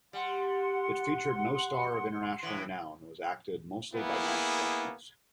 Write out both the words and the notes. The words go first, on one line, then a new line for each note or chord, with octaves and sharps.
It featured no star of international renown and was acted mostly by non-professionals.
G3 F#5 C6
A2 E3
A#3 B3 E4 G#4